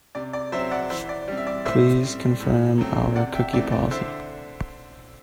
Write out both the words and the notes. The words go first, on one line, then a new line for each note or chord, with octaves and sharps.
Please confirm our cookie policy.
C3 D5
D5
F#3 C4 C5 E5
D5 F#5
E3 C5 E5
D5
G3 C4
E5
D5
A2 C5 E5
G3 C4
A2
F#3 A3 C4
C3 D5 F#5
E5 G5
E3 A3 C4 D5
D5
D3 C5 E5